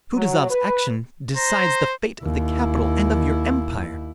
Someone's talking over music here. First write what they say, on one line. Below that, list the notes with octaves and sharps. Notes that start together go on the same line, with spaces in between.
Kutuzov's action decides the fate of the capital and of your empire!
F#3
B4
C5 A#5
D#2 E4